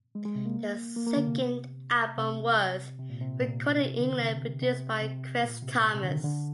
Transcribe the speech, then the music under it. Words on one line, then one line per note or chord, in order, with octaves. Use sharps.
Their second album was recorded in England, produced by Chris Thomas.
G#3
G#3
C3
A#3
A#3
A#3
D3
C3
C3
C3
A#2
C3
A#2
C3
D3
C3
C3
C3
A#2
C3
C3
D3
D#3
D3